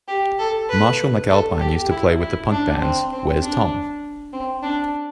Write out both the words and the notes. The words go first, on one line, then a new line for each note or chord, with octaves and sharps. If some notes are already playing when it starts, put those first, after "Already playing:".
Marshall McAlpine used to play with the punk bands Where's Tom?
G4
A4
B4
A4
G4
E4
E4
D4
C4
C4
D4
C4
D4